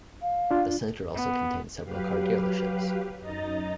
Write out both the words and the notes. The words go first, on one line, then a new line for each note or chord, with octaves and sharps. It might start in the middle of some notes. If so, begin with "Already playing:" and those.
The centre also contains several car dealerships.
F5
D4 F4
B3
F#3 G4 B4 F5
F#2 D#4 D#5 A#5 A6